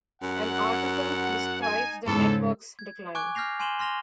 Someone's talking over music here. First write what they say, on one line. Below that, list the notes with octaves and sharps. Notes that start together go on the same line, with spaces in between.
An article describes the network's decline.
F#2 F#5
D#4 G#5
E2 G#2 C#3 A4
G#6
G#5 C#6 D6 F#6 G#6
F6 G6 A#6 C7 F7
G#5 C6 D#7 E7 F#7 G7
C6 F6 A#6 F7 G7